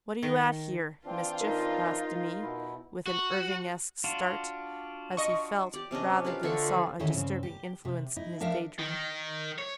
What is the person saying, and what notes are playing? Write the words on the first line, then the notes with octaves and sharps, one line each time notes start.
'What are you at here, Mischief?' asked Demi, with an Irvingesque start, as he felt rather than saw a disturbing influence in his day-dream.
D#3
E3 C4 D4 F4 G5
D#4 A#4
B2 E4
F#4
D4 F4 F#4
D#5 C#6
G4 D5
C3 C#4 D4 D#5
F4 G4 A#4 B4
D3 F4 E5 C#6
F3
D3 D#3 C#4 E4 G4 G#4
G2 C#3 C4
G4
C3
D#4 E4
F3 D4 A#4 E5 F5
D#3
C#5